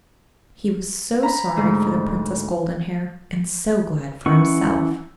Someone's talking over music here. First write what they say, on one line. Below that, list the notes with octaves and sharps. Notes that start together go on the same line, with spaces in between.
He was so sorry for the Princess Goldenhair, and so glad for himself.
A#5 B5
D2 G#2 D#6
E3 C#4 E4 F#5 C#6